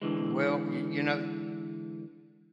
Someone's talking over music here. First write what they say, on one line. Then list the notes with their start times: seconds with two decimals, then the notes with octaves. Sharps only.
Well, y you know,
0.02 D3 E3 G#3